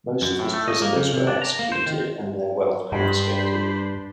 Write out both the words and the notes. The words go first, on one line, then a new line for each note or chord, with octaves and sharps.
Most of his prisoners were executed and their wealth confiscated.
F#2
A2
A3
D#5
A#3
C#3
C3
D4
A#5
A#3
C5
D#3
G2 G3 D4 C5 B5